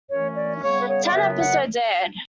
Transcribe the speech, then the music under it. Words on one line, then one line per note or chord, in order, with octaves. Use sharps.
Ten episodes aired.
F#2 E3 A3 C#4 C#5
D5
C#3 G3 B3 C#5
B4
C#5
D5
F#2 C#3 F#3 B3 E5
F#5